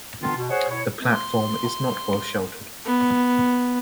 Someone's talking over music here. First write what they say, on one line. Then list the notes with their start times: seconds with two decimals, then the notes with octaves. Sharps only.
The platform is not well sheltered.
0.22 D3 E3 B3 C4 D4 F4
0.36 B2
0.49 G#4 C5 C#5 F#5
0.69 B2 E4 C#5
1.11 C6
2.85 B3